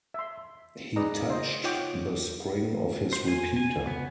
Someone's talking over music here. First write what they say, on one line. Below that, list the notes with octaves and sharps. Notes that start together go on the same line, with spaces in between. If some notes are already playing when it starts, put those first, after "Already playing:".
He touched the spring of his repeater.
E5 C6
D#4 G#4 B4 D5 D#5 A#5
C5 D#5
D#4 F4 C#5 F#5 G5 D6
C5
G#5
G#5
B3